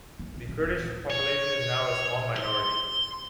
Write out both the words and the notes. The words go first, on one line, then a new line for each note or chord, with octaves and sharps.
The Kurdish population is now a small minority.
A#3
D2
C#4
D#1
E3
C#5
C6